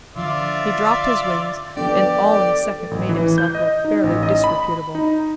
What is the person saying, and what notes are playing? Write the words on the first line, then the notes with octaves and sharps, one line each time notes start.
He dropped his wings and all in a second made himself look fairly disreputable.
D3 F3 F4 D5 E5
F3 B3 D4 G4 A4 D5
A1
E3
G6
D#5
D#4
A1
D#5
B5
D#4